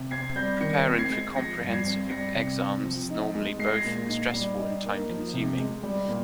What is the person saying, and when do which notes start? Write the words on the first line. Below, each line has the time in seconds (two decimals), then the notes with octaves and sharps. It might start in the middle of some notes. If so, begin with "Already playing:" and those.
Preparing for comprehensive exams is normally both stressful and time consuming.
Already playing: C3
0.11 C4 G#6 C7
0.36 G3 G6 A#6
0.61 D#3 A#6 C#7
0.86 C4
0.98 G#6 C7
1.10 G#3
1.36 F3 A#6 C#7
1.61 G2
1.73 G#6 C7
1.86 C4
2.10 G3 A#6 C#7
2.35 C3
2.59 C4
2.85 F3
3.10 D#4
3.35 G#3
3.59 G#3 C7
3.67 A#6
3.74 G#6 C7
3.85 A#2
4.09 D#4
4.34 G3
4.58 D#4
4.84 A#3
5.09 F3
5.34 C3
5.58 G#3
5.83 G3
6.08 A#2